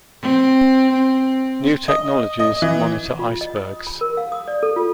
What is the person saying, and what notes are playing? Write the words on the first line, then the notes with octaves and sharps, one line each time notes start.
New technologies monitor icebergs.
C4
C4
D#5
D#5
E3
F4
D#5
D#6
B5
A#4
F5
D#6
D5
A4
F4